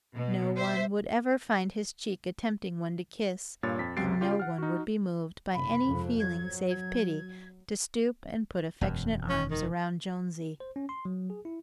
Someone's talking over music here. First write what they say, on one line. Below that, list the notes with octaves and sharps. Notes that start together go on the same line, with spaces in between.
No one would ever find his cheek a tempting one to kiss, and no one would be moved, by any feeling save pity, to stoop and put affectionate arms around Jonesy.
B2
C5 E5
G2 A#2 C#5 A6
F2 B6
C#2 F#2 C3 A6 C7 D7
C#3 F4 G4
F#5 F6
D#4 F#4
F#1 C3 B5
F2 G#2 C3
F#3 G#6
G#6
E1 F#2
C#4
D#3
C5
C#4
C6
F#3
G#4
E4